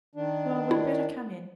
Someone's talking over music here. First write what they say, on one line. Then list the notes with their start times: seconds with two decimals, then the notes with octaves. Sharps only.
Well, we'd better come in.
0.15 D#3 D4
0.71 E4